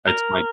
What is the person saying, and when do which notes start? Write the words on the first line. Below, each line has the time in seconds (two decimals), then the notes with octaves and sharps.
that's my
0.07 A#4